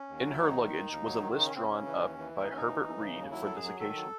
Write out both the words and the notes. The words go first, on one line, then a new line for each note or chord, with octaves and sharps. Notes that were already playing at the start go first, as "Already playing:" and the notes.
In her luggage was a list drawn up by Herbert Read for this occasion.
Already playing: C#4
D#2
F#3 F#4
E4
D#2 D#4
D#3
D#2
D#2
F#3
D#3
C#3 D#4
C#4
C#3 C4
C#4
C#3
E3
D#2
E3
D#2 E4
D#4
D#2 C#4
D#4
E3
E3
C#3
D#2
F#3 E4
F#2 A4
G#4
F#3
D#3 A4
F#3